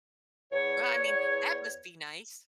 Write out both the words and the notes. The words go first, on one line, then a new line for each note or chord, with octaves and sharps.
Well, I mean, that must be nice.
E2 C#5